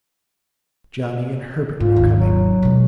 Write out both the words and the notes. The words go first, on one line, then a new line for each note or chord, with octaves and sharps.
Johnny and Herbert are coming.
G#2 F4
G#1 D#2
F#3
B2 G#3